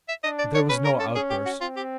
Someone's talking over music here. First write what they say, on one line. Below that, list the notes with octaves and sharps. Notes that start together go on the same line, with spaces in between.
But there was no outburst.
E5
D4 D#5
D5
C#5
C#4 B4
A#4
A4
C#4 G#4
G4
F#4
C4 F4
G4